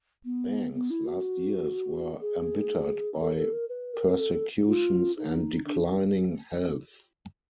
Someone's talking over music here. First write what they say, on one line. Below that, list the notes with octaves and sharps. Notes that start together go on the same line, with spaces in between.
Bang's last years were embittered by persecutions and declining health.
B3
B3
E4
F#4
G#4
A4
A4
A#4
B4
A#4
A4
F4
D#4
D4